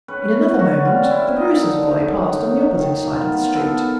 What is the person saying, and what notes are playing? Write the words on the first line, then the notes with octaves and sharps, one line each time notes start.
In another moment, the grocer's boy passed on the opposite side of the street.
C#4 B4
F#3
F#4
G3 F4
E4
A#3
D#4
D3
F#2
F#2
D#3
B3 F4
B3 A4